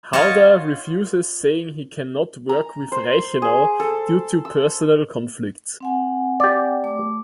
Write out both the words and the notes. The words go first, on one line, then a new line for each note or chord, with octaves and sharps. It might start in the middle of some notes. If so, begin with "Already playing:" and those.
Halder refuses saying he cannot work with Reichenau due to personal conflicts.
F4 C#5 D#5 F#5 A5
A#5
C5
G#4
A4
E6
C4 F#5 G#5
G4 D5
A3 D6